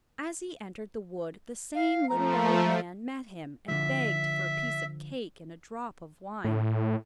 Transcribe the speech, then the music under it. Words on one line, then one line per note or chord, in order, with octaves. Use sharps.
As he entered the wood the same little old man met him, and begged for a piece of cake and a drop of wine.
F5
F3 A3 A#5
D3 F3 E5
A2